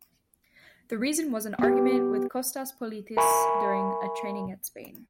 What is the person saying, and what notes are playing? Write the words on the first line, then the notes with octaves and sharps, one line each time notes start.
The reason was an argument with Kostas Politis, during a training at Spain.
B3 G4
A#4 E5 G#5 B5 C#6